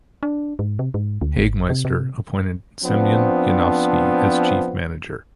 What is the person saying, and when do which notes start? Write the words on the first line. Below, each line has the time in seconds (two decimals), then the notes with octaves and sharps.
Hagemeister appointed Semyon Yanovsky, as Chief Manager.
0.23 D4
0.59 G#2
0.79 C3
0.94 G#2
1.21 D2
1.38 G#1
1.70 C3
1.85 C3
2.83 F3 B3 C4 D4